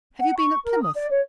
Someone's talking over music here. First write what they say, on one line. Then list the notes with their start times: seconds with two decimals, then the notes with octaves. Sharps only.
'Have you been at Plymouth?
0.20 F#5
0.37 C#6
0.65 A#4
0.81 D#6
0.95 D5
1.10 C#5